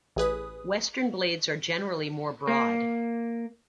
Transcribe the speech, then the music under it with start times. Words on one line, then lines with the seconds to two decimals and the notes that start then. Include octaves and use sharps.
Western blades are generally more broad.
0.16 A1 G#4 B4 D#6
2.48 A#3